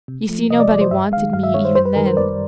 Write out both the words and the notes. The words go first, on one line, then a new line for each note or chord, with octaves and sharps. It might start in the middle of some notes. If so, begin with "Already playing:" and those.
You see, nobody wanted me even then.
C3
F3 A3
C3 D#5
D5
F3 A3 D5
C5
G2 E5
G#3 F5
D#3
G2 F5
E5
D#3 G#3 C#5
C5
F#2 C5
B4
D#3 G3 A#4
C5
F#2 D5